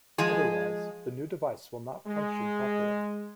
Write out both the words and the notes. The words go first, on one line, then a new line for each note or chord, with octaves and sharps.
Otherwise, the new device will not function properly.
F3 G#3 G#4
G#3